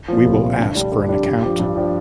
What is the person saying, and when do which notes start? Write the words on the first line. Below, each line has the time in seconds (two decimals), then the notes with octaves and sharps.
We will ask for an account.
0.08 A#2 F3
0.25 C2
0.41 A#2 F3
0.58 D3
0.75 G3 D4
0.92 D3
1.08 G3 D4
1.25 G2
1.42 F3 D4 G4
1.60 G2
1.76 F3 D4 G4